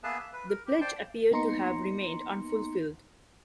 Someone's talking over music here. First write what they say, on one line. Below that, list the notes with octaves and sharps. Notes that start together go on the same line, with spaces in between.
This pledge appeared to have remained unfulfilled.
A#3 B3 G#4 B4 E5 A5
E5
B4
A#4
G4
C5 D5 G5 A5 C6 D6
A#3 B3 D#4 A#5 C6 C#7